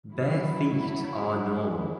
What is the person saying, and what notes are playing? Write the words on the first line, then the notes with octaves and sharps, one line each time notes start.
Bare feet are normal.
F#3 E4